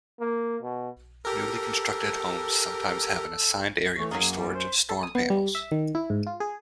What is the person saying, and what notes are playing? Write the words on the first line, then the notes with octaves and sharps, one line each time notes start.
Newly constructed homes sometimes have an assigned area for storage of storm panels.
A#3
B2
G4 A4 A#4
E3 A3 C#5
F#2 F#3 A#3 G#4
G3
C5
A4
D#6
B3
G3
E5
D#3
E4
G#2
F4
G#4